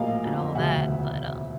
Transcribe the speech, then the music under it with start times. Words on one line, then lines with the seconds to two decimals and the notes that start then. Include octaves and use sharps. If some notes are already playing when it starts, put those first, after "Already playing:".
and all that, but, um
Already playing: A#1 A2 F#3 A#3 D#5 F5
0.24 F2 D3 F#3
0.55 E1 D2 C#3 F#3 E5 F#5